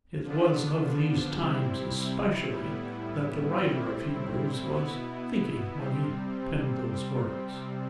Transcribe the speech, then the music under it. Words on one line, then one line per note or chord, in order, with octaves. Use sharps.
It was of these times especially that the writer of Hebrews was thinking when he penned those words.
D3 F3 B3 D4
C3 G3 C4 E4
A2 G3 B3 E4
A2 G3 C4 E4
B2 B3 E4
C3 G3 C4